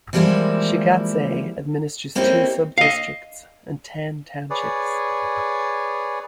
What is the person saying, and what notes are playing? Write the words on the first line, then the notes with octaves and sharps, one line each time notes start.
Shigatse administers two subdistricts and ten townships.
E3 F3 G3 G#3 A#3 E4
A#3 C4 C#4 D#4 E4 G4
D#5 F5
G#4 B4 C#5 D5